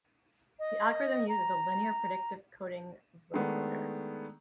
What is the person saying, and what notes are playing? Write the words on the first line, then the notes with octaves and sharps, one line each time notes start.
The algorithm used is a linear predictive coding vocoder.
D#5
A#5
D#3 G#3 A3 B3 D4